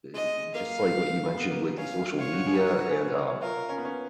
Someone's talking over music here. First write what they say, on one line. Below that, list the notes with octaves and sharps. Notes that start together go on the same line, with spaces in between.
eh, just like what you mentioned with the social media. And, um,
G#3 D#5
A#3 F5
B3
A#3
B3
C#4 F5
F4
F4 C#5
F#4
G#4
A#4
F#4
F#4
G#4
B4
C#5
C#5
F4 A#4
C#4
B3
C#4